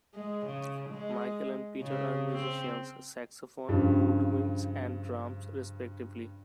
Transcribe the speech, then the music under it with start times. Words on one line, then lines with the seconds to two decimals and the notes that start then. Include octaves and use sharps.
Michael and Peter are musicians - saxophone-woodwinds and drums, respectively.
0.14 G#3
0.47 C#3
0.90 G#3
1.82 C#3
2.31 C4
3.69 G2 C#3 F3